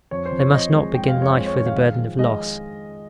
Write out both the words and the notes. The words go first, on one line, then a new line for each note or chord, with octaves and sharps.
They must not begin life with a burden of loss.
F2 C#5
C5
F2
C#5
F2 D#5
G#3
G#3 G5
F5
F2
C#5
G#3 C5
C#5
D#3 C#5
F5
G#3 F5
F3
G#3 D#5